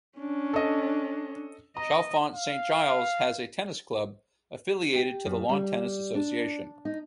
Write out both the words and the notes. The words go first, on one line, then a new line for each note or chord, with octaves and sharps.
Chalfont Saint Giles has a tennis club, affiliated to the Lawn Tennis Association.
C#4 D4
A4 D#5
D#5 A#5
F5
G4
F#2
G3
D4
D#4